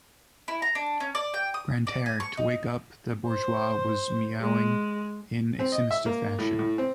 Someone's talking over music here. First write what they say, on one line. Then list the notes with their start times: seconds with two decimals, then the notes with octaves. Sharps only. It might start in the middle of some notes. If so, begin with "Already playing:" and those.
Grantaire, to wake up the bourgeois, was meowing in a sinister fashion.
0.48 E4
0.62 A#5
0.75 D4
1.00 C#4
1.15 D5
1.34 G5
1.54 D#6
1.87 D5
2.06 G#5
2.20 C#6
2.37 D#4
3.28 C5
4.41 G#3
5.59 C4
5.72 D#5
5.91 E5
6.06 A#3
6.39 A2
6.59 A2
6.78 C4